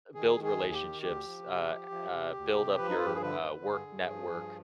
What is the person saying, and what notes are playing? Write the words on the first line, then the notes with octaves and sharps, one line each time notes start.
build relationships, uh uh, build up your, uh, work network,
D#3 G#4
D#3
G#4
D#2
G4
D#3
D2 G4
F3
C3
F3
F3
C3
D2
C3
F3 B4
D#4
G2 F4
G4
G#4
D3 B4
D3
G2 G#4
G2
F3
G2